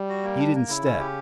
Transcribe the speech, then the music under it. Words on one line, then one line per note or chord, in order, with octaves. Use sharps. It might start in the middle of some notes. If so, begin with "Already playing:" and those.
He didn't step.
Already playing: G3
F#4
A#3
D4
A#3
C#3 E4
C#4
G4